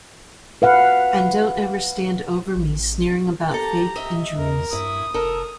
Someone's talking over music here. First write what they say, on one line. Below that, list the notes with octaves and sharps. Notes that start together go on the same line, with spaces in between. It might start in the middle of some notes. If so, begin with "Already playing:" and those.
And don't ever stand over me sneering about fake injuries.
B4 F5 F#5
A1
G4 A4 A5 A#5
D#5 E5
E2 A#4
G2 E4 D#6
F1 A4 A#4